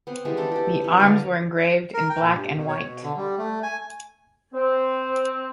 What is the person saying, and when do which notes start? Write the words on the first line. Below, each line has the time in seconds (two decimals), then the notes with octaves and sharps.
The arms were engraved in black and white.
0.07 B3 C4
0.25 D#3 E3 G3 G#3
0.37 D4 E4 A4
0.52 E4 G4
0.81 C#4 E4
1.00 D3 D5 F5 G#5
1.94 A#4
2.10 G5
2.21 A#2
2.34 G2
2.57 B2
2.68 C#5
2.81 B2
3.03 D3
3.17 G3
3.38 A3
3.63 G#5
4.54 C4